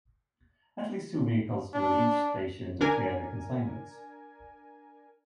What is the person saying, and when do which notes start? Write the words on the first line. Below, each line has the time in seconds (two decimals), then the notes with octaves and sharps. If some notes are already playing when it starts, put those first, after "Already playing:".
At least two vehicles will each station to clear the consignments.
1.74 D4
2.81 D4 A#4 G#5